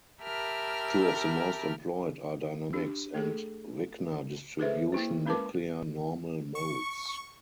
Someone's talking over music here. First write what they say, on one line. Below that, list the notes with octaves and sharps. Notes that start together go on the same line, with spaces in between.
Two of the most employed are dynamics and Wigner distribution nuclear normal modes.
G4 A#4 E5 A5 B5 F6
D4 G4
A3 G#4 A4
F4 G#4 A4 B4 C5 E5
A#3 E4 C5
G#3 C#4 A#4 B4 A5 D6
C#6